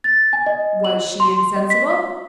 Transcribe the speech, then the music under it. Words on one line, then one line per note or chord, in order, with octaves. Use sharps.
"Was she insensible?"
A6
G#5
D#5
F#7
C6
D#5
B6